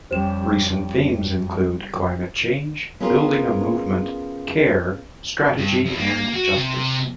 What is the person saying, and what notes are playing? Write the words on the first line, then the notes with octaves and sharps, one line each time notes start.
Recent themes include "Climate Change", "Building a Movement", "Care", "Strategy", and "Justice".
F2 G3 C#4 G4 C5 E7
B3 C#4 F4 G#4 A#4
G2
E2
A#3
F#4
C3